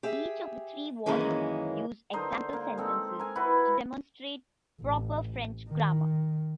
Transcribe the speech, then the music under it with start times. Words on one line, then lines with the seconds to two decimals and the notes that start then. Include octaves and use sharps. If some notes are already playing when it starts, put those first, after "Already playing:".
Each of the three volumes use example sentences to demonstrate proper French grammar.
0.03 G4 G#4 E5
1.06 F#2 D#3 E3 G#3 A#3 C#4
2.13 D3 D#4 A#4 C5
2.53 A#3
2.78 G#3 C4 A4
3.20 A#4 G#5
3.35 E4 F#4 B4
4.81 A1
5.69 D#3